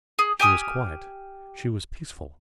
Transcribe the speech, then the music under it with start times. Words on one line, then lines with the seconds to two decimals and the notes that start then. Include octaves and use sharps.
She was quiet, she was peaceful.
0.19 G#4
0.39 G4 G#5 D#6 F6